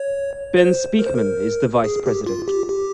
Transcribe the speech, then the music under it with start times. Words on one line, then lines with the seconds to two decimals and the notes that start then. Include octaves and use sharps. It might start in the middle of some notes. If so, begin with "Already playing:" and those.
Ben Speakmon is the vice-president.
Already playing: C#5
0.57 C5
0.99 A#4
1.06 C5
1.15 A#4
1.84 G#4
2.06 G4
2.26 F4
2.48 G4
2.69 G4